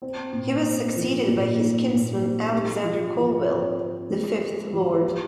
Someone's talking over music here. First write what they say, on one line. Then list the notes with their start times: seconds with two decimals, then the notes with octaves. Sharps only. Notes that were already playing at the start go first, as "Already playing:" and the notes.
He was succeeded by his kinsman Alexander Colvill, the fifth Lord.
0.02 C4
0.33 A#2
0.64 C4
0.96 F3
1.28 A#2
1.59 D#4
1.91 A#2
2.21 C4
2.53 G4
2.84 F3
3.16 F3
3.47 C4
3.79 C4
4.10 G#3
4.42 G4
4.73 F3
5.05 G4